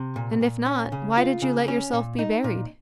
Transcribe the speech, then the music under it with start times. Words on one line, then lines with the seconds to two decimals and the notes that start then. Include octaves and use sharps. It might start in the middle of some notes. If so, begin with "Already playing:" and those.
'And if not, why did you let yourself be buried?'
Already playing: C3
0.16 A#2
0.41 A#2
0.66 C#4
0.92 C#3
1.17 F4
1.42 C#3
1.68 C#4
1.93 A#2
2.19 D#4
2.44 A#2